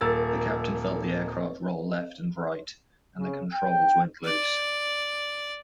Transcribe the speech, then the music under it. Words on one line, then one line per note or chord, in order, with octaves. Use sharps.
The captain felt the aircraft roll left and right, and the controls went loose.
D#1 A#4 E6 A6
C#3
G5
D5